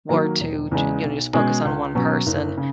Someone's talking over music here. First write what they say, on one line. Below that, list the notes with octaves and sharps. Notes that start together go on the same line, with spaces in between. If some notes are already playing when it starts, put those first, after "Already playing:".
were to j you know, just focus on one person
D#3 F#3 A#3
E1
E2 C#3 G#3
B1
B2 G#3 C#4 G#4
C#2
B2 F#3 C#4
F#1
C#3